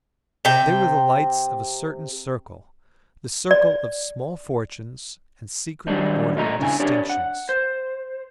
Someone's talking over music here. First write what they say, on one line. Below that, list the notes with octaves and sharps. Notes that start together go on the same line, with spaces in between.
They were the lights of a certain circle--the circle of small fortunes and secret order distinctions.
C3 G5
D5
D#3 F#3 G3 B3 D4 D#4
A#2 A3 D#5 A#5
C#3 D4 E4 G#5
D4 G4 C#5 D5
F#5
C5